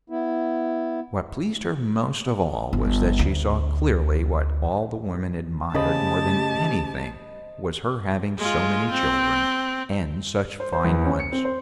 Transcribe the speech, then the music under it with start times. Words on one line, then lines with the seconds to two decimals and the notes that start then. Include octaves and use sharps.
What pleased her most of all was that she saw clearly what all the women admired more than anything was her having so many children, and such fine ones.
0.10 B3 E4
2.73 G1
3.19 D2
5.74 C#3 A3 G4 C5 D#5 A5 B5
8.38 G#3 F4
8.92 C4
10.60 C5
10.73 C5
10.84 E2
11.06 C#4
11.20 C#7
11.32 C4
11.45 C5